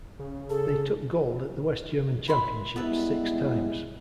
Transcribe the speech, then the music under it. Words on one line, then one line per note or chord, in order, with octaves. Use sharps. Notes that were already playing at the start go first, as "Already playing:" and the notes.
They took gold at the West German Championships six times.
C#3
G#4 A4
E4 B5 C6
G3 G#3 B3 E4 B4 E5 A5